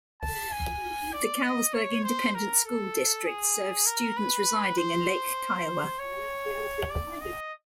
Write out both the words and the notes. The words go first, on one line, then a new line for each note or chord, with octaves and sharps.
The Callisburg Independent School District serves students residing in Lake Kiowa.
A5
G#5
D5
D#5
C#5
C5
A#4
A4
G#4
A#4
B4
C5
C#5
D5
D#5